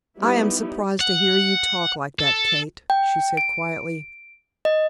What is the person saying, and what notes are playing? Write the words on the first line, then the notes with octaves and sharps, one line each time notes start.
"I am surprised to hear you talk like that, Kate," she said, quietly.
G3 B3 D#4 E4 G4
F#5
A4
G5
D7
D#5